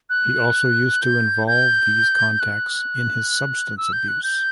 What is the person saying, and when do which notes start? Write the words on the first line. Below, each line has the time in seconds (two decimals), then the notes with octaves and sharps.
He also used to involve these contacts in his substance abuse.
0.10 F#6
1.02 G6
1.47 G6
2.40 F#6
3.78 E6
3.93 G6
4.08 F#6
4.23 G6